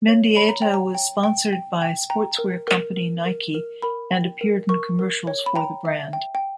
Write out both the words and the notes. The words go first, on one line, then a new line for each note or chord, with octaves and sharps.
Mendieta was sponsored by sportswear company Nike, and appeared in commercials for the brand.
C#5
C#5 B5
A#5
C#5 G5
A#5
G5
G5
G5
G5
G5 A#5
A#4
A#4
A#4
A#4
A#4
A#4 B5
G5
A#4
A#4 C#6
A#4
C#5
B5
G5 A#5
E5
G5
G5